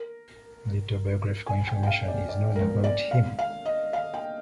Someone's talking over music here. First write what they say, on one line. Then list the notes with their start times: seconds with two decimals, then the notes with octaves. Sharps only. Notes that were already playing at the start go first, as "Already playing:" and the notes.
Little biographical information is known about him.
Already playing: A#4
1.47 G#5
1.67 G5
1.83 G5
1.87 F5
2.08 D5
2.29 D5
2.56 A#4
2.84 D5
3.11 F5
3.39 F5
3.65 D#5
3.93 F5
4.14 G5